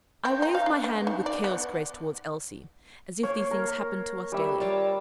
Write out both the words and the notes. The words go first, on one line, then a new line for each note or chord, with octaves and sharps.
I waved my hand with careless grace towards Elsie--as if these things happened to us daily.
C4
D#4
F5
D4
B3
D#4
D5
B3
A#3 C#5
A#4
G3 E5
F4 C#5 D5